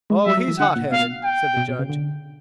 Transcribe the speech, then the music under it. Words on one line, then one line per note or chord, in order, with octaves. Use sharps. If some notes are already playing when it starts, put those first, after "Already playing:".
"Oh, he's hot-headed," said the Judge.
G#3
F#3 E5
F#3
E3
D3 F#5
A#2
B2 F5
G5
B2
B2
C#3
D3